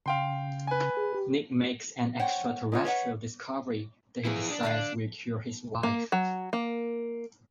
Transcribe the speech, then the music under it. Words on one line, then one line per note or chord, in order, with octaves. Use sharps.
Nick makes an extraterrestrial discovery that he decides will cure his wife.
C#3 F5 G5 C6
B4 G#5
G#4
G4
C5 C#5 F#5 G5
G#3 F4 C#5
B4 C#5 F#5
E3 F3 E4 G#4
D4
D3 E5 F5
A#3
F#3
A#3